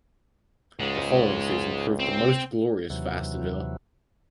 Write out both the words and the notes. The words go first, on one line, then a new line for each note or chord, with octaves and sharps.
The following season proved the most glorious for Aston Villa.
C#2 G#2 G#3
C4
D#2 C3 E3 F#3